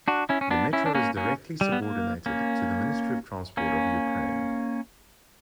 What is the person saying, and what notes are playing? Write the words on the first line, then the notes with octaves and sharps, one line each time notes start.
The metro is directly subordinated to the Ministry of Transport of Ukraine.
D4 F#4
C#4 E4
C#4
B3 D4
C#4 E4
D4
A#3 C#4
A#3 C#4
G3
B3
A#3
A#3 C#4
A#3 C#4